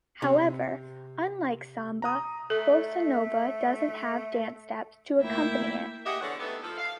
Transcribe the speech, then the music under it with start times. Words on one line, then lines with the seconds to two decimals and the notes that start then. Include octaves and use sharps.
However, unlike samba, bossa nova doesn't have dance steps to accompany it.
0.22 C3
2.02 A#5 D#6
2.50 A3 A4
5.19 D2 A#3 E4 E5 G5
6.05 G4 G#4 D#5 E5 F#5
6.21 E2 D3 C#5 F#5
6.40 A3 B3 D#4 G4 A4 B4
6.62 F3 A4
6.78 F5